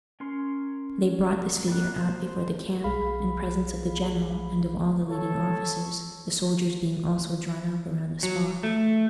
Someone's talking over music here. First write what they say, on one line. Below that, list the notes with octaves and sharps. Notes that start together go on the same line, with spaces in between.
They brought this figure out before the camp, in presence of the general and of all the leading officers, the soldiers being also drawn up around the spot.
C#4 A#4 C6
G3 A#3 F#5
C5
B1 G#4 F5 B5
A4 C#5
F#3
A3